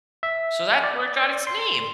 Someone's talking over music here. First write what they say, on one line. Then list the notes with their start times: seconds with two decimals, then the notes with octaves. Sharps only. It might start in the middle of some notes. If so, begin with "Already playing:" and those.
so that's where it got its name.
0.23 E5
0.84 D5
1.47 C6